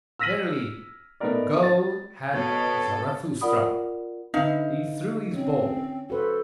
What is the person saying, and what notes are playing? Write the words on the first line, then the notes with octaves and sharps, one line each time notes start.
Verily, a goal had Zarathustra; he threw his ball.
E6 F6 A#6 B6 D#7 F#7
A3 B3 D#4 A#4 D5
A6
B2 A4 C#5
F4 A#4 D5 F#5 B5 D#6
D3 D#4 B4 E5 F5
C4 C#4
F#4 A4 B4 C5